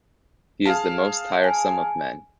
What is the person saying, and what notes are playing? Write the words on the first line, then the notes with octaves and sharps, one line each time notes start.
He is the most tiresome of men!
G#4 F5 A5
G#5